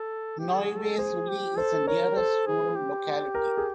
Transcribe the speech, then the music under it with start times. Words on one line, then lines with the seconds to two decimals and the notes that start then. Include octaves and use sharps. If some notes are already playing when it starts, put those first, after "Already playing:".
Novye Sulli is the nearest rural locality.
Already playing: A4
0.39 G4
0.54 A4
0.59 G#4
0.78 A4
0.98 G#4 C5
1.29 G4
1.58 A4 C5
1.87 A#4 C#5
2.16 A4 C5
2.47 G#4
2.76 G4
3.35 A#4
3.58 G#4